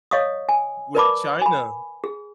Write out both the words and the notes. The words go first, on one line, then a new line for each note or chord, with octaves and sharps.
with China,
C#5 D#5 F5 C#6 D#6
G#5
A#4 B4 D5 A5 B5 D6
G#5 B5
G#4